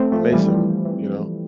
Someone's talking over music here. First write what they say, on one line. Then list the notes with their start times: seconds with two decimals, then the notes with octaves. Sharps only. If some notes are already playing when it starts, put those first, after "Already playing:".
amazing, you know?
Already playing: A3 C4
0.12 F3 A3
0.33 E3 G3
0.54 F3
0.85 E3